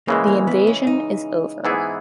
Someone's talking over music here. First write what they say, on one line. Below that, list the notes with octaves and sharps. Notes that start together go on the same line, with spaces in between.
The invasion is over.
C#3 E3 G#3 A#3
A#3
B3
C#4
D#4
G#2 E3 B3 E4 G#4